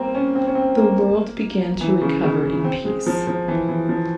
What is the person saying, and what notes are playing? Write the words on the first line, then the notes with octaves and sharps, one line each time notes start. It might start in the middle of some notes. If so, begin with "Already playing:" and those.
The world began to recover in peace.
Already playing: G3 A#3 C4
C#4
C4
C#4
C4
A#3
E3
C#3
C#3
C4
G#3
F3
F3
E3
E3
F3